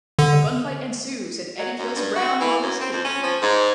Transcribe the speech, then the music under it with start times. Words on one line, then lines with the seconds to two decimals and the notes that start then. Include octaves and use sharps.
A gunfight ensues, and Eddie kills Brown while escaping.
0.19 D3
1.59 F#3
1.79 F#2
1.96 G2
2.16 F#4
2.40 E3
2.62 F#2
2.81 C4
2.93 F2
3.04 C#4
3.23 F3
3.42 G#2